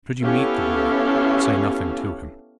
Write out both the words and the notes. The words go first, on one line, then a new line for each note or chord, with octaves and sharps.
"Should you meet the boy say nothing to him."
B3 C#4 E4 G4 A4 F5